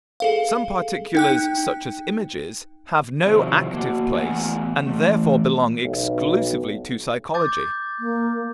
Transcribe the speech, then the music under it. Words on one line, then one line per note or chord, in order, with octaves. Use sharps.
Some particulars, such as images, have no "active" place, and therefore belong exclusively to psychology.
G#4 A4 F5
D#4 G5 F#6
C3 D#3 F3 F#3 C4 E4
A#3 F#4
E2 A2 B3 F#5 G#5
E3 A3
B1
D6 G6 A6
A#3